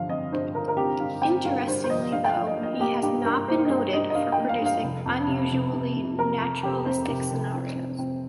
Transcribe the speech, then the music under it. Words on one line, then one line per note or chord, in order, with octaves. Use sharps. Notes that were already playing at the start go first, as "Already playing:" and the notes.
Interestingly, though, he has not been noted for producing unusually naturalistic scenarios.
Already playing: G1 G2 F3 F5
C4 D#5
G2 C5
G1 A#4
A#4
C4 G4
G2 F5
C4 G5
G2 F5
G2 C5
C5
F3 D#5
G2 F5
G5
F5
F3
D#5
A#3
D#5
A#3 G4
G2 G4
G2 A#4
A#3 C5
D#5
G2 C5
G2 D#5
D#5
G2 F5
G5
A#3
F5
G2 F5
F1
F2
C3
F1
C3
C3
F2 A#4
F2
F1 G4
C3 C5
C3
F1
C4
C4
C4